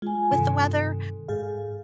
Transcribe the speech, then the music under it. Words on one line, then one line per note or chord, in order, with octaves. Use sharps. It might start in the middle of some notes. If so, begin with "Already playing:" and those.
with the weather.
G#3 F4 G#5
G2 C3 D#3 A4
G#2 G#4 F5